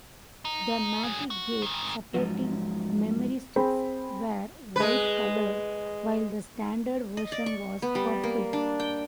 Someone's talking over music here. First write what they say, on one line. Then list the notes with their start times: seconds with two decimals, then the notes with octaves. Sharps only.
The MagicGate supporting memory sticks were white colored, while the standard version was purple.
0.45 D#4
1.04 F#3 G#4
1.30 F#4
1.62 G#2 D#3
2.14 G#2 F3 F#3
3.56 C4 G#4 G5 B5
4.76 G#3 B4
7.17 D#5
7.32 D5
7.46 C#6
7.82 B3
7.95 G3
8.23 A#3
8.53 D4
8.80 G5